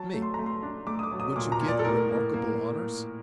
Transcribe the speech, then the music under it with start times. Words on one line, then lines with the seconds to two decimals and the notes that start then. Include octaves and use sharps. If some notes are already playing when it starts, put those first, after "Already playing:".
ME: Would you get remarkable honours?
Already playing: F#3 A5
0.14 A3
0.22 C6
0.34 A3 A#5
0.46 C6
0.63 D4
0.87 A3 D6
0.99 D#6
1.03 D6
1.12 F#3
1.20 D#6
1.36 A#2 D6
1.52 A#5
1.61 A#2
1.68 D5
1.79 A4
1.85 A2 A#4
2.09 A#3
2.34 A#3